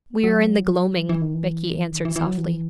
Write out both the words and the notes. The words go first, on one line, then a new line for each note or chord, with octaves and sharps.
'We are in the gloaming,' Becky answered softly.
F#3
E3
D#3
E3
D#3
E3
E3
F#3
E3